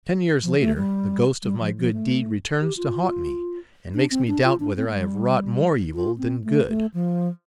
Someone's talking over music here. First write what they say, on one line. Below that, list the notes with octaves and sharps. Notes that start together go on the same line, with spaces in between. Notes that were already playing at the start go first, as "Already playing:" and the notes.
Ten years later, the ghost of my good deed returns to haunt me, and makes me doubt whether I have wrought more evil than good.
F3
A3
G3
G3
F3
F3
A3
G4
F4
D4
C4
D4
F4
D4
C4
A3
G3
F4
C4
A3
A3
F3